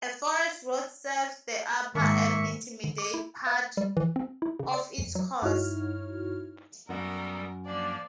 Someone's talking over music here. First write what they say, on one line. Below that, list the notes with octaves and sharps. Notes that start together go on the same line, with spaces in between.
A forest road serves the upper and intermediate part of its course.
G#2 D#3 A#3 E5 C#6
D3
D6
E4
F5
G3
E3
C4
E4
C#3
D5
F2
F#3
G2 D#4 E4 F#4 C#5 F6
F#2 G3 B3 F#4 A4 A#4
F3 A#3 D4 D5